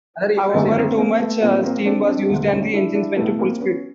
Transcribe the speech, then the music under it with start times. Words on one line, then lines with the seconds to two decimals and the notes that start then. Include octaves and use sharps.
However, too much steam was used and the engines went to full speed.
0.54 G#1 F#2 D3 A3 B3
0.76 A#3 C4
0.98 A#3 C4
1.20 A3 B3
1.41 A#1 A#2 A#3 C4
1.64 A#3 C4
1.86 C4 D4
2.07 C4 D4
2.29 E1 D2 D3
2.51 C#4 D#4
2.73 D4 E4
2.95 D4 E4
3.16 B1 A2 E3 A3 B3
3.39 A#3 C4
3.60 B3 C#4